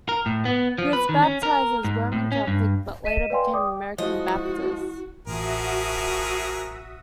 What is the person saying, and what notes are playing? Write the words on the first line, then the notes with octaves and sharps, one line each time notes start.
He was baptized as a Roman Catholic, but later became an American Baptist.
A#4
A2
B3
F3
B4
D#3
C#4
A#4
G#2
A2
C#4
G2
D#5 B6 D#7 E7
B4 D5 F5 G5 G#5 C6
D5 G5 D6 D#6
F3 G#3 E4 F#4 D#5
A1 F3 F#4 G#4 A#4 E5 D#6